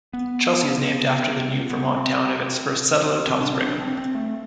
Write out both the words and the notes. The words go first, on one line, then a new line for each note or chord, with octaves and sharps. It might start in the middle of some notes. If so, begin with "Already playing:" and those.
Chelsea is named after the New-Vermont town of its first settler, Thomas Brigham.
B3
B3
C4
C4
D4
C4
D4
C4
C4
A3